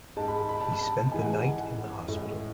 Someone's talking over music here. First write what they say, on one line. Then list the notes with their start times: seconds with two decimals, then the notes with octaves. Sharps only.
He spent the night in the hospital.
0.16 G#2 G#3 A5
0.28 B5
0.39 A5
0.49 B5
0.60 A5
0.72 B5
0.83 A5
1.11 G#2 E3 G#3 G#5
1.22 F#5
1.30 G#5
1.48 G#5
1.59 F#5
2.08 A2 G#3